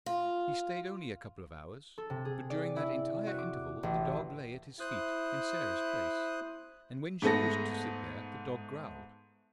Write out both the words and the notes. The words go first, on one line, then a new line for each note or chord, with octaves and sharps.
He stayed only a couple of hours; but during that entire interval the dog lay at his feet in Sarah's place, and when she wished to sit there the dog growled.
F4
A4
C3
G#4
D5
E4
F#4
D6
A1
E4 C5 D#6 F#6
G#2 A3 B3 A4 A#6